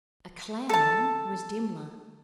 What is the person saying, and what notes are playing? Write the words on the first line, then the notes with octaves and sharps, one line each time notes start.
A clown was Dimmler.
A4 A5